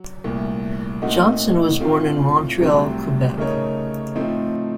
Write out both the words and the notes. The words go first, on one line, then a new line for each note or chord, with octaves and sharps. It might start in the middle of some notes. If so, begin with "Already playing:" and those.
Johnson was born in Montreal, Quebec.
Already playing: F#3
C2 A#2 A3
A#2 A3 C4 D#4 F#4
A2 A3 C4 F4
C2 C3 F#3 A3 C4
C#3 A3 D#4 A#4 C#5
A2 F3 A3 C4 D#4